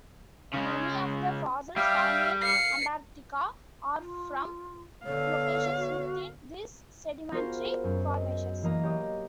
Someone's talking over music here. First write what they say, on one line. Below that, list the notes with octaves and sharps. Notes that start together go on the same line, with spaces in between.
Many of the fossils found in Antarctica are from locations within these sedimentary formations.
C#3 G#3
G3 G4 E5 F5 G5
F5 C7 C#7
F4
D3 B3 A4 C#5 F5
F#4
B3 F4 F#4 G#4 A#4 C5
F#2
D#5
E3 A#3 D#5 A#5
G4 C#5 D#5 D#6